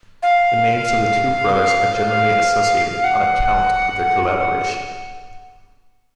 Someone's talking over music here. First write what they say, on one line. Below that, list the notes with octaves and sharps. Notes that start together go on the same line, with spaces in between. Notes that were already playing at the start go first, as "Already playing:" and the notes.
The names of the two brothers are generally associated, on account of their collaboration.
F5
F#5